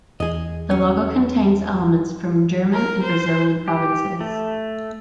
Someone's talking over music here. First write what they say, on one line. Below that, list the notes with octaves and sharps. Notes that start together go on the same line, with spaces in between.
The logo contains elements from German and Brazilian provinces.
E2 G#4 D#5
C#4
A#4
C5
G4
A3